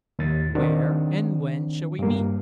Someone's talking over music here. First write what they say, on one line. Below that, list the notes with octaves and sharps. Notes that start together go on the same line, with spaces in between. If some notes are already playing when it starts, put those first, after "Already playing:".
Where and when shall we meet?
D#2 A6
D#3 C4 D4
G2 A#3